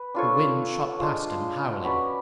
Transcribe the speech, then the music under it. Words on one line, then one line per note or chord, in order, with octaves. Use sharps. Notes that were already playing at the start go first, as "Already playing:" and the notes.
The wind shot past him howling.
Already playing: B4
D4 F4 A4 C#5
G#3 D4 F4
C#4 F#4 B4 D5